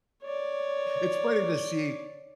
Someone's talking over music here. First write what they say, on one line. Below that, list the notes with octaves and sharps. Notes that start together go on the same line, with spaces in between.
it's funny to see
C#5 D5